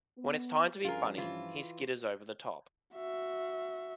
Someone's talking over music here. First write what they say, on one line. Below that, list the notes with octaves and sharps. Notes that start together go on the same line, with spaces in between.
When it's time to be funny, he skitters over the top.
B3
G2 F3 C#4 F4 G#4 A#4
E3 F4
F#4 E5